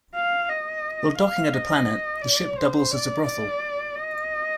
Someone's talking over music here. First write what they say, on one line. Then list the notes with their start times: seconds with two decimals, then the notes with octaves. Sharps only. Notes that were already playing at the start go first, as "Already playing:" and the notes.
While docking at a planet, the ship doubles as a brothel.
0.15 F5
0.49 D#5
1.18 F5
1.53 D#5
2.22 D5
2.57 C5
2.92 D5
3.26 D5
3.95 D#5